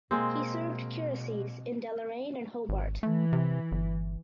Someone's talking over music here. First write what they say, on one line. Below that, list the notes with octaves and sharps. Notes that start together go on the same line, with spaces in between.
He served curacies in Deloraine and Hobart.
B2 G#3 A#3 C4
G#1
E3 A3
C3
G1